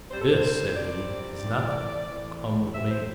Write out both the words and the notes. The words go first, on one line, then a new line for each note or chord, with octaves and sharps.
"This," said he, "is nothing; come with me."
C3 G3 C4 C5
A4
C5
C3 G3 C4 D5
A2 E3 C4
A2 E3 C4
D2 C3 E3 C4 E5
C5